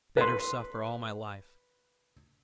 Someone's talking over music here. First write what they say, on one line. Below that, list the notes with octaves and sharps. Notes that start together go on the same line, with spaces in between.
"Better suffer all my life."
B4 C6